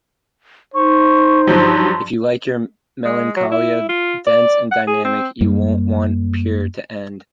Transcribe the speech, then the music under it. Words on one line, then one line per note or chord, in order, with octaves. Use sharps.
If you like your melancholia dense and dynamic, you won't want "Pure" to end.
D#4 C5 C#6
G2 F3 F#3 C6
G#3
F#3
E4
F4
D5
F#5
G#4
C4
F#2 G3 A#3